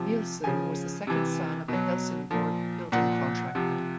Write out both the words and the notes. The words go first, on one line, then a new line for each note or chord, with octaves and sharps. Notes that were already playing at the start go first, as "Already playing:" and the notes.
Nilsson was the second son of a Helsingborg building contractor.
Already playing: C3 F3
C#3 F3 G#5
C3 E3
B2 F#3
A#2 F3
A#2 F3 F#5
C3 F3